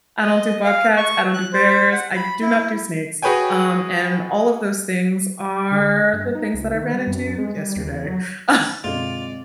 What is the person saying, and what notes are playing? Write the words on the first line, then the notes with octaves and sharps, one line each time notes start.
I don't do bobcats, I don't do bears, I do not do snakes, um, and all of those things are the things that I ran into yesterday. Oh
D#5
F5
C#6
F#6
C5
F#5
B5
E4
F#4 G#4 B4 C#5 G5 G#5
D3
G2
D#4
C#2
D#3
G3
F#2
G#3
G3
D#2
E2
F#3
F#2 B2 D3 G#3 C4 F4 D5